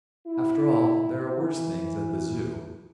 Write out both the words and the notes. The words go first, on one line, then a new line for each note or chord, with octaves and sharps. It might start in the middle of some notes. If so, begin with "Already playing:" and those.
After all, there are worse things at the Zoo.'
E4
E3